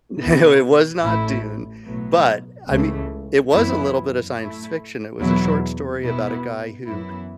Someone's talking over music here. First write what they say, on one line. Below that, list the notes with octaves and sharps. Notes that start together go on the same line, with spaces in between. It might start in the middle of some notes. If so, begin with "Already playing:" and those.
No, it was not Dune, but, I mean it was a little bit of science fiction, it was a short story about a guy who
B2 B3 E4
A1 A2 A3 E4
B1 A2 F#3 B3
C#2 C#3 E3 A3
F#2 E3 B3 E4
A2 A3 E4
E2 B2 F#3 B3 E4
B2 B3 E4
F#2 E3 B3 E4